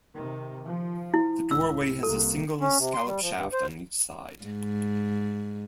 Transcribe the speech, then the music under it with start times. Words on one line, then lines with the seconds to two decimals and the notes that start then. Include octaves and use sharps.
The doorway has a single-scallop shaft on each side.
0.14 C3 D#3
0.65 F3
1.14 E4
1.51 C#2 A2 E6
2.03 C2 C3 A#3 A4
2.61 C#4
2.79 C3
2.94 C6
3.07 G3
3.22 F3
3.36 G2
3.53 C5
4.44 G#2